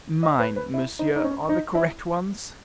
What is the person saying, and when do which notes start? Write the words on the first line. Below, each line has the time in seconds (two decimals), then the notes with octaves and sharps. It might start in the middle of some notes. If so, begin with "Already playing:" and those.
"Mine, monsieur, are the correct ones."
0.23 D#5
0.40 B4
0.56 B4
0.74 E4
0.99 D#4
1.16 D#4
1.24 C#4
1.49 D#4
1.75 E4